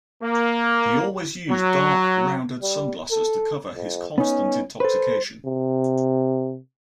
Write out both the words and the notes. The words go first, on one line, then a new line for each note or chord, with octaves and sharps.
He always used dark rounded sunglasses to cover his constant intoxication.
A#3
F#3
G3
A4
F2
B3 C#4 D#4
A4 B4 C5
C3